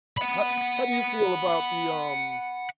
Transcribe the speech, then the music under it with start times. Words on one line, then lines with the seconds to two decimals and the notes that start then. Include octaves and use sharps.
H how how do you feel about the, um
0.18 F#5 B5